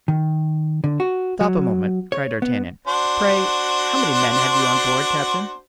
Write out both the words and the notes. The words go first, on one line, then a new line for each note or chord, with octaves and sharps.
"Stop a moment," cried D'Artagnan; "pray how many men have you on board, captain?"
D#3
D3
F#4
F#3
C#5
B3
D4 F#4 C5